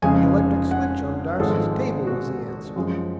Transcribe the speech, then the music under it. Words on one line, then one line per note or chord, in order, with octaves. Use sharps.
"The electric switch on Darcy's table," was the answer.
F1 F2 C#3 G#3 G#5
F#5
G#1 G#2 F3 G#3 A4
F#4
F#2 F3 G#3